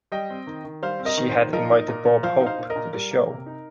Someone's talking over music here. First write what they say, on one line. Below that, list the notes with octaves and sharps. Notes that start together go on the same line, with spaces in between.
She had invited Bob Hope to the show.
G3 D#5 G5
C4
D#3
D#3
G3 C5 F5
C4
A#4 D#5
D#3
C5
D#3
F3 A#4 D#5
D#4
A#2
A#2
F3 C5 F5
D#4
C5 F5
A#2
A#4 D#5
A#2
G3 A#4
A#3
C3
D#4